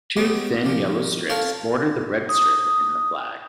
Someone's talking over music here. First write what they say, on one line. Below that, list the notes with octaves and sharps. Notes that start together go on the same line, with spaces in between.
Two thin yellow strips border the red strip in the flag.
G#3 B3 C#4 G4 G#4 F#5
D#3 F3 G4
C4 A4 C#5 F5 A5 A#5
D#6